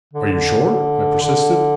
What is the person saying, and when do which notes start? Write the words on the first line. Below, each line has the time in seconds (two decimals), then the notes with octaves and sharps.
"Are you sure?" I persisted.
0.13 D3
0.32 D3
1.22 D3